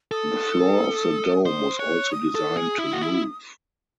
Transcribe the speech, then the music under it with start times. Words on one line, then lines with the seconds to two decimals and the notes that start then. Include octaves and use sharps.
The floor of the dome was also designed to move.
0.12 A4 D#6
1.46 C5 D#6
1.79 C#5 F#6
2.12 D#6
2.35 A4
2.57 G#4
2.78 E4
2.93 F#4
3.01 E4